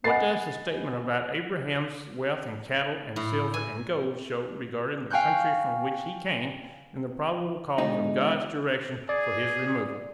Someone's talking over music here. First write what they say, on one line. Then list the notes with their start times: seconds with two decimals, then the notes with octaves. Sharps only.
What does the statement about Abraham's wealth in cattle and silver and gold show regarding the country from which he came and the probable cause of God's direction for his removal?
0.04 D#5 F#5 G#5 B5 A6 C7
3.16 A2
3.54 G#5
5.10 F5 G5 G#5 C#6 F#6 G6
7.78 B2 D3 G#3 D#4
9.09 G#4 D5